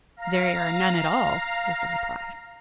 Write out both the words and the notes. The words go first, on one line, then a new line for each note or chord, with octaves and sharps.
"There are none at all," was the reply.
F5 A#5